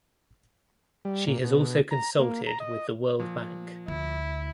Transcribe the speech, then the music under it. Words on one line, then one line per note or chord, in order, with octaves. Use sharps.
She has also consulted with the World Bank.
G3
A#2
B2
A#5
A#3
A#5
D#5
A#2 F3
D2 E4